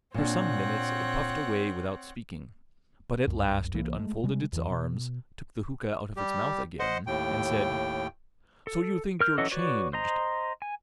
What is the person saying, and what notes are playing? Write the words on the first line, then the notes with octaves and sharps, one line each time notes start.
For some minutes it puffed away without speaking, but at last it unfolded its arms, took the hookah out of its mouth again, and said, 'So you think you're changed, do you?'
A#2 C4 D4 C#5 F#5
C2 F#2
C2 E3 A#3
G#3 A3
C3 G3 G#3
E2 E3
B2
G3 G4
C5 D#5 F#5
D#2 A2 G5
A4
A#4 F6 G6
E3 F#3 C#4 A4 D#5
F#4 B4 C#5 D5
C5 D#5 A#5
G#5